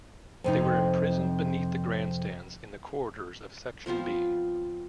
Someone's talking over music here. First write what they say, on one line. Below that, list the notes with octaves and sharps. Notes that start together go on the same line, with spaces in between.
They were imprisoned beneath the grandstands in the corridors of Section B.
F2 C3 D#4
F3 B3 C4 F4